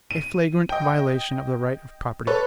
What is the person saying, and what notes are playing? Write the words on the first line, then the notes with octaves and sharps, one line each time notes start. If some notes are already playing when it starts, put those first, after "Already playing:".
A flagrant violation of the right of property.
D#7
D#5 G5
A4 B4 C#5